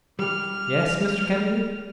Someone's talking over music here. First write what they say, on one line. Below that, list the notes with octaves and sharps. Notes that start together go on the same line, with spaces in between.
"Yes, Mr. Kennedy?"
G3 G4 F6